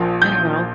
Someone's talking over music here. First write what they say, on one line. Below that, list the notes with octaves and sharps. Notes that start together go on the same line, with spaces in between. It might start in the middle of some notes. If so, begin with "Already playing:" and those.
I don't know.
Already playing: A#1 A#2 F3
G6